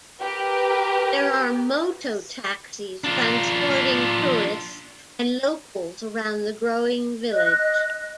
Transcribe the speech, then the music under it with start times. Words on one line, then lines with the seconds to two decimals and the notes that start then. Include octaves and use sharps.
There are Moto-taxis transporting tourists and locals around the growing village.
0.21 G4 A#4 B4
3.04 D4 F4
7.33 D#5 F#6